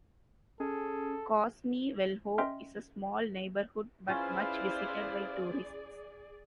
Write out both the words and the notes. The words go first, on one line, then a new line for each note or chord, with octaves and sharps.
Cosme Velho is a small neighborhood, but much visited by tourists.
C#4 G#4 A4
C#4 D#5 E5 G5 C6 F6
C#4 E4 F4 G#4 B4 C5 D5 F5